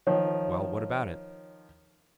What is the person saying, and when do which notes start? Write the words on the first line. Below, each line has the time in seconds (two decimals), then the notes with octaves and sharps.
"Well--what about it?"
0.07 D#3 F3 C#5